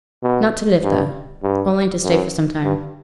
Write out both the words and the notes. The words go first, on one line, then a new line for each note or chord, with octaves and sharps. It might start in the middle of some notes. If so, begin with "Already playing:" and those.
'Not to live there: only to stay for some time.
B2
G2
G2
F#2
G2